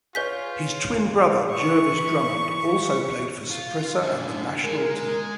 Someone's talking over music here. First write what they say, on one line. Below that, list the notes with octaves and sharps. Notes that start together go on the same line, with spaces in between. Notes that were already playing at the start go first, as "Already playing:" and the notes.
His twin brother, Jervis Drummond, also played for Saprissa and the national team.
F4 G#4 B4 C#5 G6 B6
E3 C#6
F4
F#2 D3
G#3 G#4 A#4